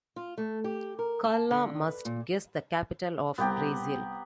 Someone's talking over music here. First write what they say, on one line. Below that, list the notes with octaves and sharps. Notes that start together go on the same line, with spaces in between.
Karla must guess the capital of Brazil.
F4
A3
G4
A#4
A5
D3
B4
A#2
C2 B3 G4 G5 A#5